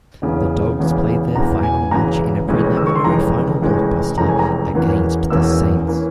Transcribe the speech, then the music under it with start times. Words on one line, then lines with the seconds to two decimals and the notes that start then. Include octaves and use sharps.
The Dogs played their final match in a Preliminary Final blockbuster against the Saints.
0.22 E1 E2 C#3 E3
0.79 E1 E2 C#3 E3
1.35 E1 E2 C#3 E3 A#5
1.63 G#5
1.91 E1 E2 C#3 E3 A#5
2.48 F1 F2 E3 G#3 C#4
2.77 E6
2.87 C#6
2.95 C6
3.04 F1 F2 E3 G#3 C#4 A#5
3.61 F1 F2 E3 G#3 C#4
4.17 F1 F2 E3 G#3 C#4 A#5
4.29 G#5
4.39 A#5
4.74 E1 E2 E3 A#3 C#4
5.30 E1 E2 E3 A#3 C#4 E6
5.87 E3 A#3 C#4